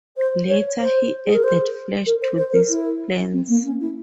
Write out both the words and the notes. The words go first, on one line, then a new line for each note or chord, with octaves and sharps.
Later, he added flesh to these plans.
C5
C#5
C5
G#4
A#4
C5
A#4
C5
C5
A#4
E4
C4
A#3
C#4
E4